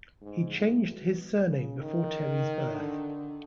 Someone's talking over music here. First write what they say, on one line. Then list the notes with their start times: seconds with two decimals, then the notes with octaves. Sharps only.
He changed his surname before Teri's birth.
0.22 G#2
0.53 A2
0.85 B2
1.49 C#3
1.80 D#3
2.75 D3